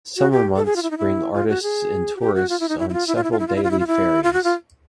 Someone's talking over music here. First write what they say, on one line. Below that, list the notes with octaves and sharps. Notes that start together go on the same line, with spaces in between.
Summer months bring artists and tourists on several daily ferries.
F#4
G4
A4
G#4
F4
E4
D#4
E4
F4
F#4
G#4
F#4
G4
F#4
F4
E4
D#4
E4
E4
F4
E4
F4
E4
F4
E4
F4
E4
F4
E4
F4
E4
F4
F#4
F4